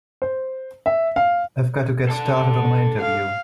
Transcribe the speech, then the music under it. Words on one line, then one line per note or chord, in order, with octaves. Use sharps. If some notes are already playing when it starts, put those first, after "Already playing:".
I've got to get started on my interview.
C5
E5
F5
A4 D5
F5